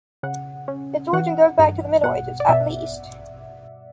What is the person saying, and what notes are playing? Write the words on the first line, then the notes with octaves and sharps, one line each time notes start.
Its origin goes back to the Middle Ages, at least.
C#3 F#5
C#4
E3 F#5
G2
B2 F#5
D5
B2 E5